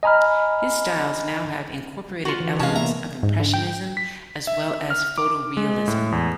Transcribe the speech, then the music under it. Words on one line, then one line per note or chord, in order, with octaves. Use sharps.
His styles now have incorporated elements of impressionism as well as photorealism.
D#5 G#5 A#5 B5 F6
F4 F#4
E3
C3 G#3 C#4 F5 A5
A#3 B3 E5 A#5
G#2
D3
G5
G5
B6
E5
F6
D6
G#3
A2
E2